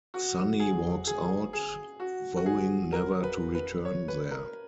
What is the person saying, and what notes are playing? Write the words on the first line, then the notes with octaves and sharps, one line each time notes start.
Sonny walks out, vowing never to return there.
F#4
G#4
G#4
G#4
F#4
F#4
G#4
A#4
B4
B4
C#5
B4
A#4